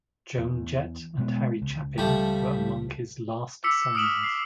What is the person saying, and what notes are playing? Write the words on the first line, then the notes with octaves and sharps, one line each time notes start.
Joan Jett and Harry Chapin were among his last signings.
E2
B2 G#3 B3
C#2
F3 G3 A3
D6 E6 B6 C#7 F7
D#6 F6 D7 E7 F#7
C7